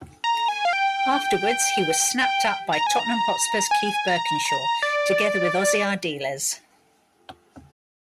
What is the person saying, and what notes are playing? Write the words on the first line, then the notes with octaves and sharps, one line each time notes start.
Afterwards, he was snapped up by Tottenham Hotspur's Keith Burkinshaw together with Ossie Ardiles.
A#5
G#5
F5
G5
G5
A#5
G#5
A#5
G#5
A#5
A#5
D5